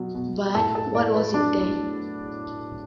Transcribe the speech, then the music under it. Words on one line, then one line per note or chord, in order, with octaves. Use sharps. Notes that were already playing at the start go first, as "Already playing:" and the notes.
But what was it then?
Already playing: B2 F#3
B2
A2 A4
A4
A2 D5
B4
F#3 D4